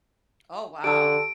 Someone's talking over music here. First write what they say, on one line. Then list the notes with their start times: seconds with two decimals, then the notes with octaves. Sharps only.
Oh, wow.
0.84 D3 G4 A5 E6 D7